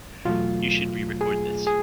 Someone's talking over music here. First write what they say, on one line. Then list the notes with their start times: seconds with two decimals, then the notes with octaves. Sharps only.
You should re-record this.
0.25 E2 B2 F#3 A3 F4
1.21 G#4
1.67 G#4